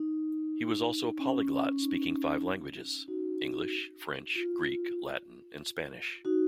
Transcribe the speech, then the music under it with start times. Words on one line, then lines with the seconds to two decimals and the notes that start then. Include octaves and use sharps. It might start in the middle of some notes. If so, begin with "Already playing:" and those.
He also was a polyglot, speaking five languages: English, French, Greek, Latin and Spanish.
Already playing: D#4
1.19 C#4
1.82 D#4
3.08 D#4 F#4
4.36 F4
6.25 D#4 F#4